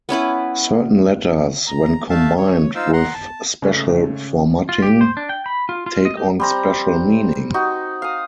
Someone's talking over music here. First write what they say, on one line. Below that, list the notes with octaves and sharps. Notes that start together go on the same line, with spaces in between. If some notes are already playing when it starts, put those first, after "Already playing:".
Certain letters, when combined with special formatting, take on special meaning.
B3 C#4 E4 B4
A#5
A3 E5 F5 A5
C#5
D#4 F4 C5 F5 E6
F#5 A#5 C6
A5
G#2 C#3 A3
F4
G4
C5
D4
G5
B5
F4
F4
D#5
G4
G3 C4 A#5
D#4 F#4
F5 D#6